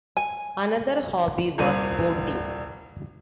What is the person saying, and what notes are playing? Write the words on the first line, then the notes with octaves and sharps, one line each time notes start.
Another hobby was boating.
G#5
D#1 C2 C5 D#7